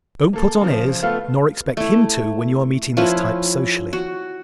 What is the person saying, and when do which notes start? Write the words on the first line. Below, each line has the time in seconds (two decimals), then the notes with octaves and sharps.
Don't put on airs nor expect him to when you are meeting this type socially.
0.33 A#3 A4
0.61 C#3 F3
1.03 A3 B3 F4 A4 F5
1.77 A3 E4
2.97 F3 C#4 E4 B4
3.93 F#4